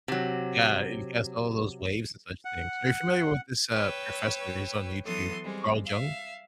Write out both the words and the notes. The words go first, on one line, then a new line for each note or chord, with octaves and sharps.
Yeah, and he cast all those waves and such things. Are you familiar with this, uh, professor? He's on YouTube, Carl Jung?
C3 F#3
F#5
B4 C#5 G5 E6
E3 F#3 B3 A4 C6 D#6
G3 G#3 C4
E5 F5